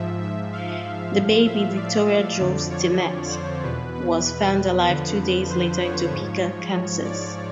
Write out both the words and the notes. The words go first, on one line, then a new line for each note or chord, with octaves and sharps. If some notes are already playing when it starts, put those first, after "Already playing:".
The baby, Victoria Jo Stinnett, was found alive two days later in Topeka, Kansas.
Already playing: G#2 F3 E5
E5
F5
A2 F3
E5
D5
F2 D3 F3
C#5
C5
E2 B2 B4
B4
B4
F2 D3 F3
C5
C#5
G#2 F3
D5